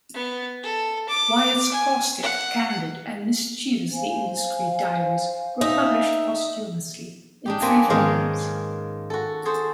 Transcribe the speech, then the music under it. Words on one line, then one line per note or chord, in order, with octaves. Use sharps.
Wyatt's caustic, candid and mischievously indiscreet diaries were published posthumously in three volumes.
B3
A4
D6
G#5
F#5
C5 F5 G#5
D#4 E5
D4 D#4 G4
A#3 C4 B4 G#5
G#2 D#3 G#3 C#4 G#4 F5
F#4 A4
G#4 A4 C5